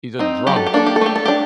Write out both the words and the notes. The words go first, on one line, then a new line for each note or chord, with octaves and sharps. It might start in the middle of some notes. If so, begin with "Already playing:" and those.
He's a drunk.
C4 D#4
F#3 G4
A4
G4
A#3 D4 A4
G4
A4
A3 G4
A4
D4 G4